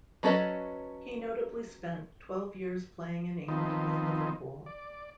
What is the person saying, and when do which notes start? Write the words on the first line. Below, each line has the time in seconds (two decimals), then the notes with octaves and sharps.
He notably spent twelve years playing in England with Liverpool.
0.23 F#3 C#4 A4 B4 D#5
3.48 D#3 F3 B3 C4 D#4
4.66 D5